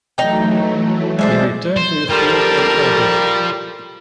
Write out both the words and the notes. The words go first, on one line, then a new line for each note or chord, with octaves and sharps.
He returned to the field in August.
E3 F#3 A3 D#4 G5
G#3 D4 C5 E5
C5
G3 F4 G4 A4 A#4 C5 G5